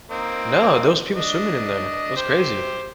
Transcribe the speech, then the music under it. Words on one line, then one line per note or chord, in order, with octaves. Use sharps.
No, those people swimming in there. It was crazy.
A#3 C4 D#4
D4 D#5
G4 C5